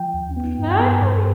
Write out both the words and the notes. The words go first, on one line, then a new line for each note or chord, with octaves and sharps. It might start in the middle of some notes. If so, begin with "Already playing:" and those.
M exactly.
Already playing: F3 G5
D#2
B3
G2
G5
B3 G#5
G2